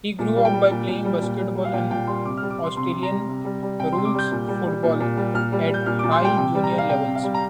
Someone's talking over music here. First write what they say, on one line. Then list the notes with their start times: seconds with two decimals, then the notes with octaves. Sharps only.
He grew up playing basketball and Australian rules football at high junior levels.
0.19 A#2
0.36 G3
0.45 G5
0.53 G3
0.70 A#2
0.88 A#2
1.05 G3
1.21 A#2
1.39 G3
1.55 G3
1.65 F5
1.73 A#2 G5
1.91 A#2 G5
2.07 G3 C6
2.25 C3 D6
2.37 F6
2.43 G3
2.50 D6
2.59 G3 C6
2.77 C3 C6
2.93 C3
3.03 A#5
3.11 G3
3.28 C3
3.45 G3
3.63 G3
3.80 C3 G5
3.93 C3 C6
4.05 D6
4.14 G3 G6
4.31 A#2
4.48 G3
4.66 G3
4.83 A#2
5.00 A#2
5.17 G3
5.34 A#2 F6
5.52 G3
5.69 G3 G6
5.86 A#2 F6
5.99 A#2 D6
6.11 C6
6.21 G3 G5
6.38 C3 G5
6.55 G3
6.64 A#5
6.73 G3
6.78 F5
6.89 C3 G5
7.06 C3
7.15 F5
7.23 G3
7.34 A#5